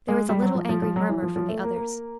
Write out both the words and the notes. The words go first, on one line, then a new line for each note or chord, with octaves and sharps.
There was a little angry murmur from the others.
G#3
G3
F#3
F3
F3
F3
F#3
E3
F3
F3
A3
A#3
A#3